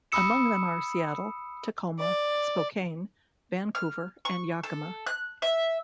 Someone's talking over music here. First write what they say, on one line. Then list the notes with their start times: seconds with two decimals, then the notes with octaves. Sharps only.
Among them are Seattle, Tacoma, Spokane, Vancouver, and Yakima.
0.12 B5 D#6 E6 C#7 E7
1.98 D5
3.75 F6
4.25 C#6
4.63 A4
5.07 F#6
5.42 E5